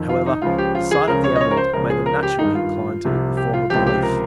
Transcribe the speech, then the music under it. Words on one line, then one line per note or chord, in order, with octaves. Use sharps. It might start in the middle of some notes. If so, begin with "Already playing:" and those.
However, the sight of the emerald made them naturally incline to the former belief.
Already playing: F2 D#3
F4
D#4
C#2 C#3 F3 F4
G4
F4
G#4
C#2 C#3 F3 A#4
C#5
D#5
C#5
A#4
C5
C#2 C#3 F3 A#4
G#4
A#4
G4
G2 D#3 D#4
F4
C2 C3 F3
G4
F4
C#2 C3 F3 G4
G4
A#4